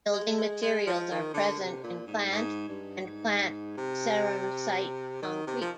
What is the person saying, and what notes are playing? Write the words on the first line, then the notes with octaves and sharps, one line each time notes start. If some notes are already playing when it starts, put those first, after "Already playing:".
Building materials are present in plant and plant ceramsite concrete.
G#3
G#3
G#3
F3
D#3
D3
C3
A#2
G#2
G#2
G2
G#2
C3
D#3
C3
F3